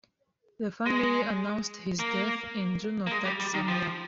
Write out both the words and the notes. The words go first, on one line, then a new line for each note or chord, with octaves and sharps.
The family announced his death in June of that same year.
G#3
A#3
A#3
G#3
G3
G3
D#3
F3